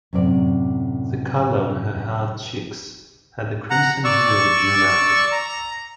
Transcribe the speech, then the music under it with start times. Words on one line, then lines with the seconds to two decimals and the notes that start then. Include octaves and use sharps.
The color on her hard cheeks had the crimson hue of a June apple.
0.13 F#2 A2 C3 D5
3.70 F#5 A#5
4.04 D5 C#6 E6
5.32 A#5